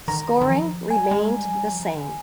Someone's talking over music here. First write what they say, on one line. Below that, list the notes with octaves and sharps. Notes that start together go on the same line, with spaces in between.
Scoring remained the same.
D#3 A#5
D#3
F3
G3 G#5
G#3
G3
F3
G3
F3
D3